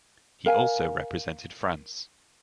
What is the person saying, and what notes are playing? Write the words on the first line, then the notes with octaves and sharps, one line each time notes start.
He also represented France.
A#4 F5 G#5